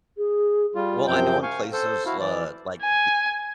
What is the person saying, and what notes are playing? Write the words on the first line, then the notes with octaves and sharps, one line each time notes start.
Well, I know in places, uh, like d
G#4
G3 F4
F#2 C3 F3 C4 G5 G6
F5 G#5 C#6
A4 C5
E4 F#4 F5
E3 D5
G#5